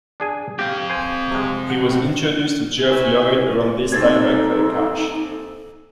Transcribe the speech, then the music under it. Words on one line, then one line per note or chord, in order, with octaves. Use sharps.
He was introduced to Geoff Lloyd around this time by Craig Cash.
D4 G#4 G#5
C4 G4 F5
C5 G#5
C3 G#3
F#5
A2 F#5
E4 C#5 E5 G#5
D#1 C4 D#4 A4 G#6 A6